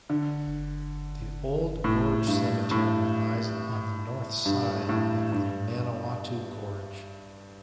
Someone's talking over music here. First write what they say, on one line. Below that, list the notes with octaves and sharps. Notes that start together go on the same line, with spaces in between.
The Old Gorge Cemetery lies on the north side of the Manawatu Gorge.
D3
A2
G2
A2
G2
A2
G2